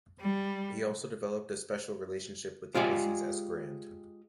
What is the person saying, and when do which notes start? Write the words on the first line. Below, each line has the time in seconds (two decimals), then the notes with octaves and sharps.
He also developed a special relationship with Ulysses S. Grant.
0.21 G3
2.75 G#3 F4 G4 G#4 D5